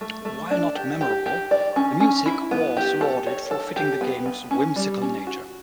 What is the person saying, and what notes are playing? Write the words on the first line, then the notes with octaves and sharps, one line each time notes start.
While not memorable, the music was lauded for fitting the game's whimsical nature.
A3
A3
D4
G4
G4
G4
D5
C#4
C#4
E4
B3
G4
A4
C#5
A4
G4
B3
B3
C#4
G3
C#4
F#4